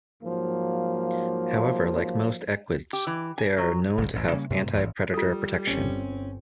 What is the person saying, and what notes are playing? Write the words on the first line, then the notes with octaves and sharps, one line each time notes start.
However, like most equids, they are known to have anti-predator protection.
G#2 F3 F#3 A#3
G4
E3
G#5
F#3
G1 C2
A1 E2
C#3 G3 A#3 C#4
G2 C3 A3
A1 G#2 B2 E3
G3 F4 A4
G1 C4 C#4